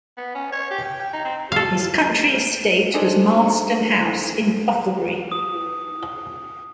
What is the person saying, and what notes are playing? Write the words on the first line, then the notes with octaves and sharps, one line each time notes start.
His country estate was Marlston House in Bucklebury.
B3
C#4
C#5
G4
G5
G5
D#4
C4
A4 F5
D4 D#4 G#4 A4 C5
D#6